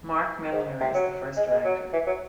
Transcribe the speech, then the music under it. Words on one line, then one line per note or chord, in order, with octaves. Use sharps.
Marc Milner is the first Director.
G#2
C3
F#3
G#3
G#3
F#3
E3
F#3